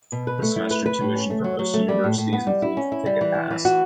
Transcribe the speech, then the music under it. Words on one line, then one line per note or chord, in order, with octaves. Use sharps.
The semester tuition for most universities include the ticket pass.
B2
B4
A3
E4
B4
B4
A2
C#4
A3
F#3
F#3
A3
G3
A2
A2
B3
G3
E4
C#4
E4
G3
E3
E4
E3
F#4